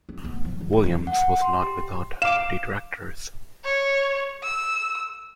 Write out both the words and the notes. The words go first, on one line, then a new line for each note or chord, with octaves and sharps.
Williams was not without detractors.
C4
D2 B3
C#3 F3
D#3
F3
E2
F#5
C6
G4
F5 D6 E7
C#5
E6